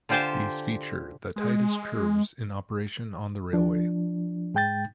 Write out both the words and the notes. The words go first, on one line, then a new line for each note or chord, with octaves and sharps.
These feature the tightest curves in operation on the railway.
D3 F4 G4 C5 G#5 A5
G#3
F3 D4
G#2 G#3 G5 G6 A6